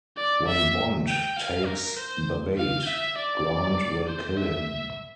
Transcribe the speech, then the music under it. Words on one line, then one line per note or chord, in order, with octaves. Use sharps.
When Bond takes the bait, Grant will kill him.
D5
E5
G5
F5
A#4
C5
F5
E5
D5
C5
E5